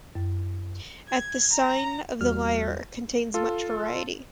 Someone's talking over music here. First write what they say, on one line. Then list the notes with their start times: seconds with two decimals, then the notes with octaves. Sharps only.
"At the Sign of the Lyre" contains much variety.
0.15 F#2
1.07 G#6
1.52 A#5
2.21 E2 G3 F#4 F6
3.34 F4 A4